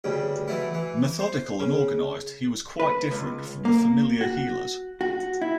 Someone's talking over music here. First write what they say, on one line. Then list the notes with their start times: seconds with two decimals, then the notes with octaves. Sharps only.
Methodical and organized, he was quite different from the familiar healers.
0.04 D2 G2 C#3
0.48 E3 F#3 A3 E4
0.74 E3
1.19 C5
1.60 C#3
2.80 B4
3.11 C#2
3.65 A#3
4.21 F#4
5.01 F#4
5.42 E4